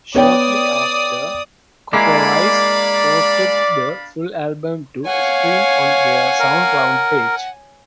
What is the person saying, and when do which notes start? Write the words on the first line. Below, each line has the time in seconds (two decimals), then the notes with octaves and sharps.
Shortly after, CocoRosie posted the full album to stream on their SoundCloud page.
0.15 B3 C#5 D5 G5 D#6
1.93 G#3 A#3 D4 E4 D5 F5 B5 D6
5.06 C#5 F5 F#5 G#5
6.39 A#4